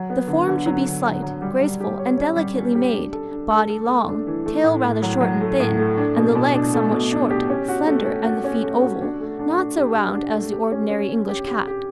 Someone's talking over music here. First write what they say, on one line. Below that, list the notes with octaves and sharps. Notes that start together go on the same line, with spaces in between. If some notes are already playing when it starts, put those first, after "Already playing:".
The form should be slight, graceful, and delicately made, body long, tail rather short and thin, and the legs somewhat short, slender, and the feet oval, not so round as the ordinary English cat.
Already playing: F#3
B3
D3
D3
F#3
D3
F#3
F#3
G3
G3
G4
C#5
C#4
G3
C#4
G4
D4
A4
D4
A4
A4
A3
D4
E3
A3
A2
A2
F#3
F#3
A3
A2
A3
D4
B2
B2
D4
A3
B2
D4
G4
C#4
F#4
A3
C#4
F#4
C#4
A3
F#4
D4
A3
D4
D4
G4
D4
D4
A3
G4
C#4
C#4
C#4
G4
G4
G4